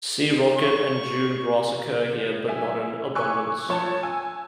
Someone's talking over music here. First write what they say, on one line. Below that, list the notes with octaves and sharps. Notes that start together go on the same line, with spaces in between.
Sea rocket and dune grass occur here, but not in abundance.
C#6
E5 G#5
G#5 C#6 D6 E6 F#6
F3 C#5 A5
G#5 E6